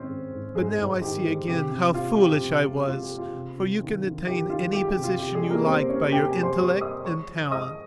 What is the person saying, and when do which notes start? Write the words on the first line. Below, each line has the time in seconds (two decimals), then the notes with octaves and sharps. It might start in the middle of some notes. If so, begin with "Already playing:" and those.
But now I see again how foolish I was, for you can attain any position you like by your intellect and talent.
Already playing: G#2 D#3 C4 C#4 C5 C#5
0.09 G#3
0.32 G#2
0.55 G#2 G#3 G#4
0.78 G#2
1.01 D#3 G4
1.25 G#3
1.48 C3 G4
1.71 C3
1.94 C3 F4
2.18 F3 G4
2.41 C3
2.64 G#3
2.87 G#3 F4
3.03 G4
3.10 G#3
3.18 F4
3.34 C3
3.57 C3
3.80 D#3
4.03 D#3
4.27 D#3 G4
4.49 D#3 F4
4.73 G#3 G4
4.88 G4
4.96 C3
5.04 F4
5.19 C3 G4
5.35 G#3 G#4
5.42 G3
5.50 A#3 A#4
5.66 G3 C4 C5
5.89 G3 C#4 C#5
6.12 C3 G4 G5
6.27 G#4 G#5
6.35 C3
6.43 C5 C6
6.58 G3 C#5 C#6
6.81 G3 D#5 D#6
7.05 G#3 C#5 C#6
7.28 F3
7.51 G#3 D#5 D#6